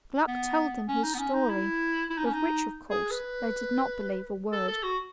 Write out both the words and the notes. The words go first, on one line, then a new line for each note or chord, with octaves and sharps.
Gluck told them his story, of which, of course, they did not believe a word.
B3
C#4
D#4
B3
C#4
D#4
E4
E4
D#4
C#4
D#4
G#4
B4
A4
A4
F#4